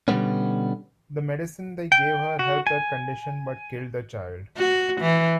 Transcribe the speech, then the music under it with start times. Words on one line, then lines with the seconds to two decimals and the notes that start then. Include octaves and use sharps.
The medicine they gave her helped her condition but killed the child.
0.08 B2 D3 G3 A3 B3 C#4
1.92 G5
2.39 F#4
2.67 G#5
4.57 F#4
5.01 E3